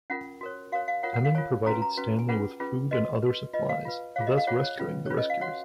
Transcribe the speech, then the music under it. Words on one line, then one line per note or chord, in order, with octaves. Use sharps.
Emin provided Stanley with food and other supplies, thus rescuing the rescuers.
C#4 F4 A#4 F#5
F#4 A#4 C#5
F#4 A#4 C#5 F5
F5
F4 A#4 C#5 F#5
F#5
F5
F4 A#4 C#5 G#5
C#4 F#4 B4 A#5
G#5
A#5
C#4 F#4 B4
G#5
C#4 F4 G#4 B4 F#5
C#4 F4 G#4 B4
F#4 B4 D#5
F#4 B4
F4 B4 D#5
F5
F4 B4
F4 G#4 C#5 F5
D#5
F5
F4 G#4 C#5 F#5
C#5
C#4 F4 B4
C#4 F4 B4 C#5
D#5
F5
F#4 C#5 F#5